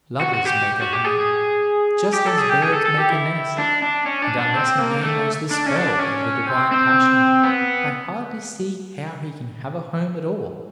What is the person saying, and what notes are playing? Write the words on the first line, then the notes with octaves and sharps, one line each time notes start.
Lovers make a home, just as birds make a nest, and unless a man knows the spell of the divine passion I hardly see how he can have a home at all.
F#4
F#4
G4
F#4
G4
G#4
G4
A4
G#4
G4
G#4
A4
A4
G4
E4
D4
D4
C#4
D4
D4
C4
A#3
A3
D4
C#4
D4
C#4
C4
C4
B3